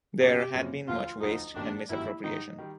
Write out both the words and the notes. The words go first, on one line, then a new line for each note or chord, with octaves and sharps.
There had been much waste and misappropriation.
F#2 C#3 F3 A#3 C#4 G4
F#2 C#3 F3 A#3 C#4
E1 D2 D3 F3 F4
E1 D2 D3 F3 D#4
G1 F#2 D#3 G3 A#3 D4
G1 F#2 D#3 G3 A#3 E4
G#2 D#3 G3 D#4
D#3 G3